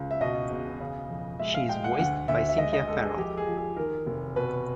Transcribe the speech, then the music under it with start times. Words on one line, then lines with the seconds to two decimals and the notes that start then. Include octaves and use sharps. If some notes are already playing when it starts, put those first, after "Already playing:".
She is voiced by Cynthia Farrell.
Already playing: C#2
0.11 E5
0.21 B2 D#5
0.50 E1
0.80 C#3
1.10 F2
1.39 G#3 E5
1.54 F5
1.69 G#3 G5
1.84 F#5
1.99 D2 F#5
2.28 D2 E5
2.49 E5
2.58 G#3 D#5
2.73 D#5
2.88 G#3 A4
3.03 G#4
3.17 F2 G4
3.37 G#4
3.47 F3
3.57 G#4
3.76 D#3 A#4
4.06 F1
4.36 B2 B4